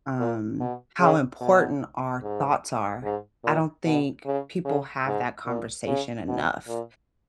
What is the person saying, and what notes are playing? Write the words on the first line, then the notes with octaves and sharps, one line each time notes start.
um, how important our thoughts are. I don't think people have that conversation enough.
A#2
B2
C#3
B2
G#2
G#2
A#2
B2
C#3
C#3
G#2
A#2
C#3
B2
A#2